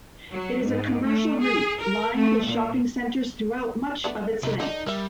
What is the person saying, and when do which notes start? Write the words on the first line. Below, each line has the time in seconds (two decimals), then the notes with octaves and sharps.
It is a commercial route lined with shopping centers throughout much of its length.
0.32 F#3
0.65 G#2
1.04 A3
1.42 G#4
1.81 A#4
2.16 A3
2.46 A#2
4.04 A3 B3 D4
4.43 C3 A3 D#4
4.60 D3 D4 D#4
4.86 G3 A#4 E5